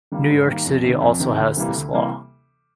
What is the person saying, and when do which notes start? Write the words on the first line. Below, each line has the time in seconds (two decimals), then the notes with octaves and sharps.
New York City also has this law.
0.12 D#3 G3 A#3
0.29 G#2
0.47 D#3 G3 A#3
0.66 F2
0.84 C3 D#3
1.01 F2
1.20 C3 D#3
1.38 D2
1.56 C3 E3 G3 A#3
1.74 D2
1.92 C3 E3 G3 A#3